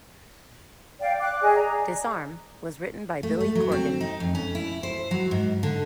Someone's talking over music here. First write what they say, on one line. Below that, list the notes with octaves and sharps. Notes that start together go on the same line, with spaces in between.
"Disarm" was written by Billy Corgan.
D5 F5 G5
D6 F#6
G#4 D5 D#5 G#5
A#5
A3
A3
F#3
C4
D#4
F2
C#4
E4
C5
F#3
G#2
D3